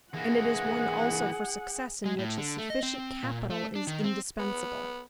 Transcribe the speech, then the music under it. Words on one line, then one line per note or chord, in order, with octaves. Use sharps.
And it is one also for success in which a sufficient capital is indispensable.
E3 A#3 G#4 F#5
G#3
A2
D3
A3
D#5
C4
A#2
A3
D4
D#3
C4
B3